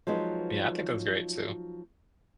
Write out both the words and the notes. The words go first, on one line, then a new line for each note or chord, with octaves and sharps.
Yeah, I think that's great too,
F3 F#3 G#3 B3 D#4